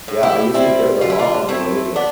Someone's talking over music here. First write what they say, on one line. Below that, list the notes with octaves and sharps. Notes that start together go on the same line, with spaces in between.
Yeah, I used to hear it a lot on the radio,
A2
E4 G4
G3 C4 E4
D3 F4
E4
D4 F4
A3 C4 E4
B3 D4